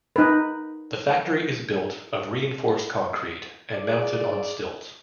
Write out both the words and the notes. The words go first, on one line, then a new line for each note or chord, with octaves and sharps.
The factory is built of reinforced concrete and mounted on stilts.
D#4 B4
G#4 D5